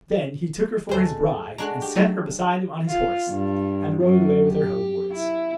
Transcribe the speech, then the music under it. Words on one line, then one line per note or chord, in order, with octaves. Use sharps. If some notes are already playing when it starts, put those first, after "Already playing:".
Then he took her for his bride, and set her beside him on his horse, and rode away with her homewards.
D2 G#3 A3 C5
G#3 D4 F#4 A#5 F#6
G4
F#3 A3 D#4
F4
G2
F#2
G4
E4